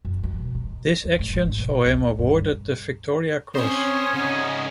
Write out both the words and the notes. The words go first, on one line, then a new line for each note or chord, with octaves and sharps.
This action saw him awarded the Victoria Cross.
F#2
D#3
B2
D#3
E2
A2
G#1
B2
C#2
G2
C4 C#4 C5 C#5 D#6
C#3 D#4 F#5